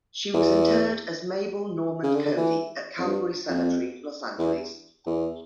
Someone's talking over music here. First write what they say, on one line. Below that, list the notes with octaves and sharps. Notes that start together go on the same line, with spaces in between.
She was interred as Mabel Normand-Cody at Calvary Cemetery, Los Angeles.
E2
C#3
D3
D3
E3
F2
G2
F2
E2
E2